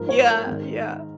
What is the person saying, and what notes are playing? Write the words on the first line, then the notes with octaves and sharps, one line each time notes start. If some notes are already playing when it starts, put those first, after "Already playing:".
Yeah, yeah.
Already playing: G#2 F3 A#4
C#5
A#4
G#2 D#3